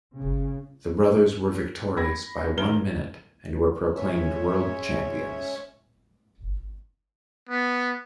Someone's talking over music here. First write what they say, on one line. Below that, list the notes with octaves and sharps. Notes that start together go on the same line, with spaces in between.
The brothers were victorious by one minute, and were proclaimed world champions.
C#3
B5 G#6 A#6
D#3 A#4 G7
G#3 C#4 C#5 E5
B3